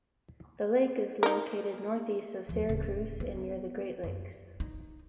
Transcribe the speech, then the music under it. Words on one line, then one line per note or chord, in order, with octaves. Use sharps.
The lake is located northeast of Syracuse and near the Great Lakes.
D#4 A#4
D#2 F3
D1 C#3
B3
F#2
D#4